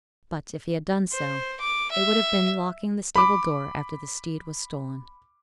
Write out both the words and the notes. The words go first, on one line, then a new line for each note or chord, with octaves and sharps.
But, if he had done so, it would have been locking the stable-door after the steed was stolen.
C5
D6
E5
B5 D6